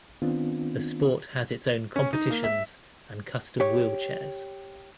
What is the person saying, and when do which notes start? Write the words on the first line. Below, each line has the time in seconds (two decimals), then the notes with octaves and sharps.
The sport has its own competitions and custom wheelchairs.
0.22 D#3 B3 C4 D4 F4
1.96 C#4
2.13 D#4
2.30 A#3
2.44 E5
3.60 G4 C#5